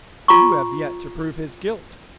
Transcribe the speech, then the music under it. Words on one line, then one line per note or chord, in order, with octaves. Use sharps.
"You have yet to prove his guilt."
F4 A#5 C#6